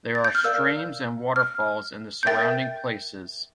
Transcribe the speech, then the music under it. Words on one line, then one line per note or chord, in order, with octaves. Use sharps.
There are streams and waterfalls in the surrounding places.
A6
G6
F6
A#4 D5 F5 E6
F6
G6
A#4 E5 G5 A6